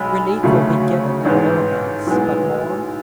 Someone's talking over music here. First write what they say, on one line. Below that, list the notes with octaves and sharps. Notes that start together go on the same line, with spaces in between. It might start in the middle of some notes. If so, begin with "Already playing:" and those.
Relief will be given at all events; but more?
Already playing: B1 G#3 B5
D2 C#3 F#3 A3
A1 G#2 G#3 B3
B1 A2 G#3 B3